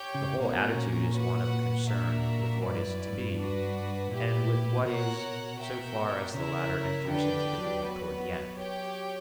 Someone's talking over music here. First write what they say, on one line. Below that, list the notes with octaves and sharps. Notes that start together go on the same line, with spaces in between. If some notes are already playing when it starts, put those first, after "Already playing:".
The whole attitude is one of concern with what is to be, and with what is so far as the latter enters into the movement toward the end.
Already playing: G4 C#5 G5
C#3
B2 C#4 F#4 A#4 C#5
A#2
F#4 B4 F#5
A#3 D4 F#4 A#4 E5
G2 E4 B4 D5
F#2
G2
D4 F#4 B4
A#2 E4 G4 B4
B2 F#4 A#4 C#5 F#5
F#4 A#4 E5 G5
C#3 E4 A#4 C#5 E5
D3 D4 G4 B4 D5 G5
D3
F#3
B3 F#4 B4
G4 C#5 G5